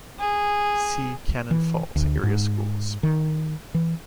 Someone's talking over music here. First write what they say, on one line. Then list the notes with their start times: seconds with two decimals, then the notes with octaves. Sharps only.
See Cannon Falls Area Schools.
0.19 G#4
1.51 E3
1.96 D2
2.23 G#2
3.03 D#3
3.74 E3